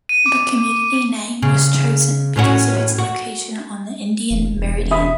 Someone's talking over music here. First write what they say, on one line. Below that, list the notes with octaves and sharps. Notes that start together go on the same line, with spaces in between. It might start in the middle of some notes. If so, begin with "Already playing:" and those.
The community name was chosen because of its location on the Indian Meridian.
D#7
D6
C#3
A2 C#4 F#4
F#4
E1
E1
E5 B5 D#6